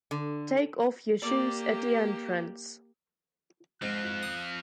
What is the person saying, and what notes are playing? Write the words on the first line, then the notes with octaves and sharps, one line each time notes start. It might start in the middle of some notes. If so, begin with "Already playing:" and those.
Take off your shoes at the entrance.
D3
A#3 G4 D5
G#2 F3 C4 F#6
D#6